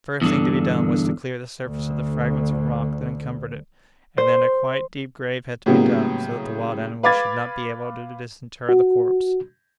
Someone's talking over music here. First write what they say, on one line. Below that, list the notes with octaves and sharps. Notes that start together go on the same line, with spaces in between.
The first thing to be done was to clear the surface of the fragments of rock that encumbered it, and then a quite deep grave had to be dug, so that the wild animals should not be able to disinter the corpse.
E2 G2 D3
D2 D3
C5
A2 C#3 F#3 G3 A#3 B3
B4 F5 B5 D6 G#6 A6
F#4